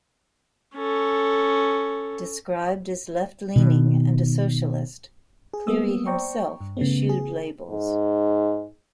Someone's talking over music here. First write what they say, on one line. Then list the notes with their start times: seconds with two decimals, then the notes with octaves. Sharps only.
Described as left-leaning and a socialist, Cleary himself eschewed labels.
0.75 C#4 A4
3.56 B2 D#3
5.54 G#4
5.67 G3 A#3 B3 D#6 E6
6.06 C5 D5 G5 A#5 C#6
6.60 G2
6.77 C#3 A3 B3
7.09 G#4
7.70 G#2